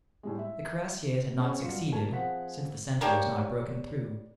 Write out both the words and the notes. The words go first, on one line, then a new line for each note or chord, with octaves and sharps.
The cuirassiers had not succeeded, since the centre was not broken through.
A2 G3 G#3
E5
C4 C#4 G#4 C5
G2 F#3 F4 C#7
G3 A#4 A5 G#6
F3 C4 G#4 F#5 B6
A#3 D4 G4 C#5